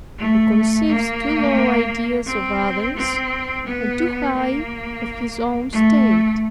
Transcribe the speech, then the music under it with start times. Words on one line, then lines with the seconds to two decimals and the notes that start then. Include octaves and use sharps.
He conceives too low ideas of others, and too high of his own state.
0.18 A3
0.87 A#3
2.26 C4
2.95 C4
3.64 B3
4.34 A#3
5.72 A3